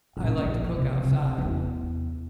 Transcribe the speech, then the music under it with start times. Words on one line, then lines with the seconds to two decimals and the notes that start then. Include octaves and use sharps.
I like to cook outside
0.17 A#2 C#4
0.36 A#1 F3
0.76 C3
1.04 C3
1.38 E2 E4